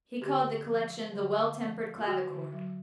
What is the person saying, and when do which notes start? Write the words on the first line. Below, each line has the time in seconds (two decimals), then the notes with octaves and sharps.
He called the collection "The Well-tempered Clavichord."
0.22 D3 G4
0.45 D3
0.68 F3
0.91 G#3
1.14 D3
1.37 D3
1.60 F3
1.83 G#3
1.98 F4
2.05 D3 F#4
2.29 D3
2.52 F#3